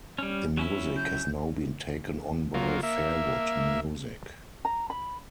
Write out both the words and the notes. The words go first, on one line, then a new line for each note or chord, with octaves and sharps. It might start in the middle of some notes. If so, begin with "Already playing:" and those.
The music has now been taken on by Fairwood Music.
G3 C#4
F#3 C#4 E4
G6
F#3 A#3 F4
A#3 E5
A#5
B5